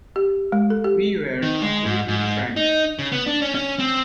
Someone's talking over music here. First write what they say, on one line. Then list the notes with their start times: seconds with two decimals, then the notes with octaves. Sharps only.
We were completely frank.
0.16 G4
0.52 G#3
0.70 A4
0.84 G4
1.42 D#3
1.62 G#3
1.85 G#2
2.08 G#2
2.56 D#4
2.99 C#3
3.12 B3
3.26 D4
3.42 C#4
3.55 C#4
3.79 C4